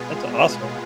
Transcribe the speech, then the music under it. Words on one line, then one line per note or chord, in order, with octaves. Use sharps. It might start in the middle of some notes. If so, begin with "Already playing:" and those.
That's awesome.
Already playing: B2 G#3 B3 F4 G#4